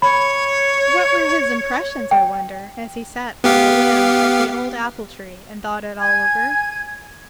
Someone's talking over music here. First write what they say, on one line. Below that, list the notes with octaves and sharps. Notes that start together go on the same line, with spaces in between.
What were his impressions, I wonder, as he sat on a limb of the old apple tree and thought it all over?
C#5 B5
G5
B3 G4 F5
G#5 G#6